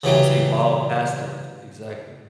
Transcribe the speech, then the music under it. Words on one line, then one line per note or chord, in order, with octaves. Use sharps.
supposed to evolve past it. Exactly.
C#3 E3 F#3 G3